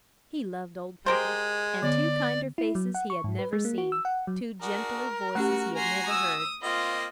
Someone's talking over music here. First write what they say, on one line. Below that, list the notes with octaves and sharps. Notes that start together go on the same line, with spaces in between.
He loved old people, and two kinder faces he had never seen--two gentler voices he had never heard.
G#3 G4 A#4 C5
D3 B3 C#5 D5
E4
F#3
F#5
C#6
G#2
B4
G#3
A#3
F#4
E6
F#5
F#3
D4 F#4 G#4 A#4
A3 C#4 F#4 G4 F#5
F#4 G#5 A#5 C6
D#6 E6
A#3 C4 F4 D#5